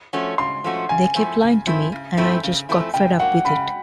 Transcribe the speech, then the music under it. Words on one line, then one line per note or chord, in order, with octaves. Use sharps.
They kept lying to me... and I just got fed up with it.
F3 A3 C#4 F#4
C#3 C6
F3 A3 C#4 F#4
C#3 G#5
F3 A3 C4 E4
C#3
F3 A3 C4 E4
C#3
F3 A3 C4 E4
C#3
F3 A3 C4 E4
C#3 G5
F#3 A#3 F#5
C#3 B5